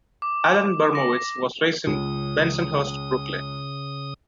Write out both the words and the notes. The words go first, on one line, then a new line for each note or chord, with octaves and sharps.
Alan Bermowitz was raised in Bensonhurst, Brooklyn.
D6
A#6
C#2 C#3 D#6